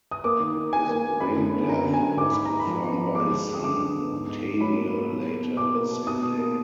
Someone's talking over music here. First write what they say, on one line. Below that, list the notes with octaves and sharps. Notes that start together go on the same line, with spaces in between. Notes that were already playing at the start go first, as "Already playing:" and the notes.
His brain death was confirmed by his son Tamir later the same day.
D#6
A#3 D6
D#3
D#3
A#3 G#5
A#3
A#3
F#2 B5
D3
B3
F#2 A#5
D3
G#5
F#2
G#2 D6
G#2 B5
A#5
G#2
B5
F3
B3
F3
G#3 D6
D2
G#3
D#6
D3 D6
D3
B3
G#2
G#2
G#2
F#3 B5
A#3
A#3
B2
A#3
B2
B2 D6
A#3
B2
B2 D#6
B2
A#3